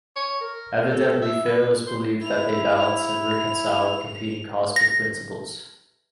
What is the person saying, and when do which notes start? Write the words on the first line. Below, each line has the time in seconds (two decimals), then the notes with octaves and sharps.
Evidently, pharaohs believed that they balanced and reconciled competing cosmic principles.
0.16 C#5
0.41 A#4
0.91 A4
1.22 E5
1.46 B4
1.87 C5
2.21 E4 F7
4.76 A#6